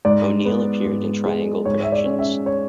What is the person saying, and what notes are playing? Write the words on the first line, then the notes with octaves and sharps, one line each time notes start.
O'Neill appeared in triangle productions!
G#2 D5
B3
G#2
G#3
G#2 C#5
E5
D5
C#4
E5
C#5